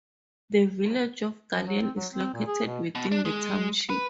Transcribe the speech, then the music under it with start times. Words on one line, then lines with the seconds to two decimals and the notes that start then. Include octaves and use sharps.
The village of Galien is located within the township.
1.53 F3
1.67 F#3
1.82 C4
1.97 F#3
2.12 C4
2.34 A#2
2.47 G#4
2.66 B2
2.95 B2
3.12 D4
3.25 G#3
3.90 B4